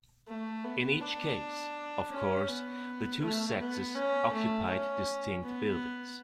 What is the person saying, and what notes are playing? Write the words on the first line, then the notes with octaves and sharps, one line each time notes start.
In each case, of course, the two sexes occupied distinct buildings.
A3
B3
D4
C#4
B3
A3
B3
C#4
A3
C#4
B3